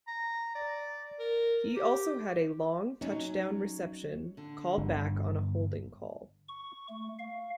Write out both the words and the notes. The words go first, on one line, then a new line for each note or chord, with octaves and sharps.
He also had a long touchdown reception called back on a holding call.
A#5
D5
A#4
G4
F#3 C#4 D#4
D3
G1
C#6
A3
F5